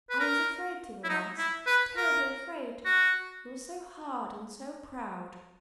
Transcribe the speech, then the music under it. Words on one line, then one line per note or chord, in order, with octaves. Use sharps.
I was afraid to the last,--terribly afraid; you are so hard and so proud.
B4
A#4
E4
D#4
E4
B4
A#4
F#4